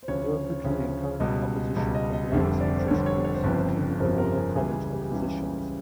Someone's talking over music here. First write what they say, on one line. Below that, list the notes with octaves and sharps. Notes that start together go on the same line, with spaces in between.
Moore quickly encountered opposition from various interest groups, including the Royal College of Physicians.
C5
D2 C#3 F3 C#5
D2 C#3 F3
C#2 B2 G3 D#5
C#2 B2 G3
D#5
D#5
F1 F2 D3 G3 E5
D5
C5
F1 F2 D3 G3 C#5
C#5
C#5
C5
G1 F2 C#3 F3 B4
C5
G1 F2 C#3 F3 A#4
A#4
G#4
C#2 C#3 E3 G3 G#4
G#4
G4
G#4
C#2 C#3 E3 G3